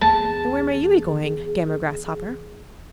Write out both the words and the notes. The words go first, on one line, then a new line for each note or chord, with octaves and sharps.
'And where may you be going, Gammer Grasshopper?'
E2 G#4 A5